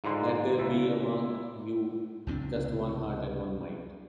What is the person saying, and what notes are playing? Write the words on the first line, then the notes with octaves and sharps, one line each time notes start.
Let there be among you just one heart and one mind.
G#2 D3 F4 A#5 C6
C#2 E4
C#2 C3 A3 D4